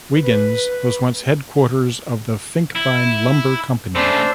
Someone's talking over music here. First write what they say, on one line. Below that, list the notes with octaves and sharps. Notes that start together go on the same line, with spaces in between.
Wiggins was once headquarters of the Finkbine Lumber Company.
B4
E4
C#3 A3 D4 C5 E6